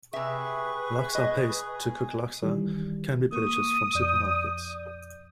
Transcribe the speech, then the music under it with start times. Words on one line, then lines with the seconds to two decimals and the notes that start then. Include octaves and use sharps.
Laksa paste to cook laksa can be purchased from supermarkets.
0.13 C3 G#4 B4 E5 B5 C#6
1.15 D#5
2.42 D#3 E3 G3
3.32 A#3 C#6 D#6
3.95 F2 D5 G6